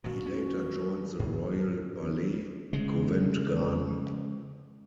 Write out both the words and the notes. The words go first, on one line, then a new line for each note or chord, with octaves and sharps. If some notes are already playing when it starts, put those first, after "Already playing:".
He later joined the Royal Ballet, Covent Garden.
A#2 F3 F#3 F#4
C#4
G#2
C#3 G#3